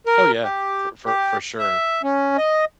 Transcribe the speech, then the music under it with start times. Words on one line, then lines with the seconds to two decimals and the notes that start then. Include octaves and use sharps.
Oh, yeah, for for for sure,
0.07 A#4
0.43 G4
1.05 G4
1.59 E5
2.03 C#4
2.37 D#5